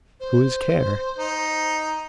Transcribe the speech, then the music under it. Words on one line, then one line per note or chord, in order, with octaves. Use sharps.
"Whose care?"
C5
D#4